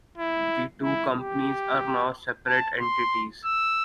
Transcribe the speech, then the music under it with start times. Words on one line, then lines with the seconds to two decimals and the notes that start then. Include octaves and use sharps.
The two companies are now separate entities.
0.18 E4
0.83 E4
1.16 G4
2.47 A5
2.80 C6
3.45 E6